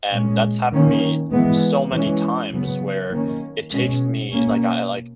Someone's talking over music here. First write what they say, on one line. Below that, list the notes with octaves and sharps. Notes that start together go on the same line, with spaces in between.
And that's happened to me so many times where it takes me like, I, like
A#2 G#3 C#4
D#3 A#3 C#4
E3 G#3 B3
E3 G#3 C#4
C#3 F#3 B3
D#3 A#3 C#4
B2 G#3 C#4
B2 A#3 C#4